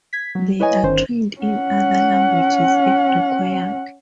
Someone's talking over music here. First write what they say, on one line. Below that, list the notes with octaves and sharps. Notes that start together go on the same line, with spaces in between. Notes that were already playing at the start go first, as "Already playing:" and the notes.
They are trained in other languages if required.
G#6 B6
F#3
E4 B4 C#5 D#5 G#5
G1 D#3 C#4 C5
C#4 F#5